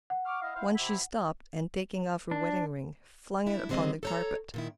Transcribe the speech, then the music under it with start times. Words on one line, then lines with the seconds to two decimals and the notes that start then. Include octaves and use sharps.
Once she stopped, and taking off her wedding ring, flung it upon the carpet.
0.10 F#5
0.25 C#6 D6 F6
0.42 E4 D#5 F5
0.54 E4 C5 F5
0.75 C3 E4 B5
2.31 D4
3.46 D4 E4
3.69 D3 G3 C4 G#4 D#5
4.03 A4 C#5 A#5
4.54 A#2 D#3 E4